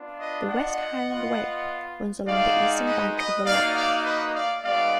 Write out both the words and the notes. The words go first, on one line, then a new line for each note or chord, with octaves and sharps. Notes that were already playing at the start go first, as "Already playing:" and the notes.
The West Highland Way runs along the eastern bank of the loch.
Already playing: B3 D4 F4
B4 D#5
D#5 F#5
B3 F4
G#3 D#4 F#4 D5 F5
B4 D#5
B4 D#5
A#3 D#4 F#4 D5 F5
D5 F5
B4 D#5
D5 F5
G#3 B3 D#4 F#4 D5 F5